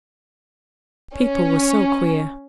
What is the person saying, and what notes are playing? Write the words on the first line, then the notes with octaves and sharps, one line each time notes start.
People were so queer.
C#4